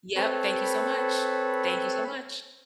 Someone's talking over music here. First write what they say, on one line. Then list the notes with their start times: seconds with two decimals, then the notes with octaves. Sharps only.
Yep. Thank you so much. Thank you so much.
0.16 C4 A4 B4 C#5